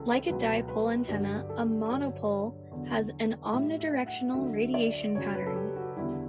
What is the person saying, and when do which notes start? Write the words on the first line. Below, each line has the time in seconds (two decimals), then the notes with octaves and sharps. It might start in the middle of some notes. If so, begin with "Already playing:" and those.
Like a dipole antenna, a monopole has an omnidirectional radiation pattern.
Already playing: C#2 C#3 E3 A4
0.28 C#2 B2 F#3 B4
0.68 B4
1.08 G2 D3 F#3 G4
1.49 A4
1.89 G2 D3 F#3 C#5
2.71 E2 D3 F#3
3.53 A2 G3 E5
3.80 E5
4.06 F#5
4.34 D2 D3 F#3 E5
4.74 D5
5.15 F#2 C#3 F#3 C#5
5.35 B4
5.46 A4
5.56 G4
5.76 F#4
5.96 E2 D3 G3 E4